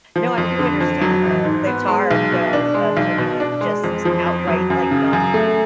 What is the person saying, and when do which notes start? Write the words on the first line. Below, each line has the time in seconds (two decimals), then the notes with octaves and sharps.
No, I do understand, uh, it's hard, though, um, for me to just outright, like, not
0.16 F3
0.38 F2
0.59 D3
0.80 F2
1.01 F#3
1.23 A1
1.45 G#2
1.67 B3
1.88 G#3
2.11 B1
2.32 B2
2.53 D4
2.74 G#3
2.97 B1
3.18 B2
3.40 D4
3.61 G#3
3.84 F2
4.05 F3
4.26 F2
4.48 F#3
4.70 F#2
4.91 C#3
5.13 F#2
5.34 A3